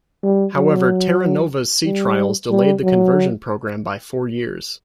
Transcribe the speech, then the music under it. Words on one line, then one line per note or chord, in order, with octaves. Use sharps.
However "Terra Nova"s sea trials delayed the conversion program by four years.
G3
F#3
G3
G3
F#3